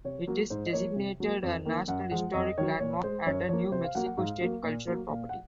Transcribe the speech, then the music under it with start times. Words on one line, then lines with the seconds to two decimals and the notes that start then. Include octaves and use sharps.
It is designated a National Historic Landmark and a New Mexico State Cultural Property.
0.05 C3 C#5
0.27 F#3 A#3
0.50 G#2 C5
0.66 D#5
0.73 F3 A#3 C#5
0.96 C3
1.20 F#3 A#3
1.43 F2
1.65 D#3 A#3
1.88 F#2 F#5
2.11 F3 G#3 F#5
2.34 F2 D#5
2.58 D#3 F#3 C#5
2.80 A#2 C#5
3.04 G#3 C5
3.26 F#2 C#5
3.48 F3 A#3 C#5
3.72 C3 C5
3.84 F5
3.95 F#3 A#3 F#5
4.06 F#5
4.17 G#2 F5
4.41 F#3 A#3
4.63 A#2
4.87 F#3 A#3
5.10 A#2 F5
5.29 F#5